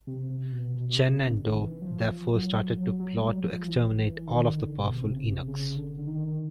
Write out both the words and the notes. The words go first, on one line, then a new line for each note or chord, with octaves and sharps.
Chen and Dou therefore started a plot to exterminate all of the powerful eunuchs.
C3
C3
B2
B2
B2
C3
D3
D#3
E3
F#3
F3
F#3
F3
F#3
F#3
G#3
G3
F#3
F3
E3
E3
D#3
D3
B2
C3
C#3
C3
C#3
D3
D3
D#3